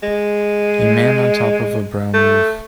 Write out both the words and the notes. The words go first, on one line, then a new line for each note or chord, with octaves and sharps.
A man on top of a brown roof.
G#3
A3